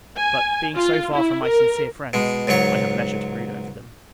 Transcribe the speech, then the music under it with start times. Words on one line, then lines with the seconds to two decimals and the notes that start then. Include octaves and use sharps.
But, being so far from my sincere friends, I have leisure to brood over them.
0.16 G#5
0.75 F4
1.15 E4
1.45 A#4
2.13 B2 G#3
2.47 C#2 G#2 F#3 C#5 C#6